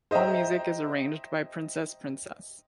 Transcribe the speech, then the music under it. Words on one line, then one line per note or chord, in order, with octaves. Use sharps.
All music is arranged by Princess Princess.
C5 D#5 E5 G5 A#5